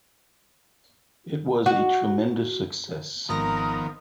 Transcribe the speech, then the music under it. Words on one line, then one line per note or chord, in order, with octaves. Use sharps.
It was a tremendous success.
F#4
G#1 D#3 F3 B3 A#4 D#6 A#6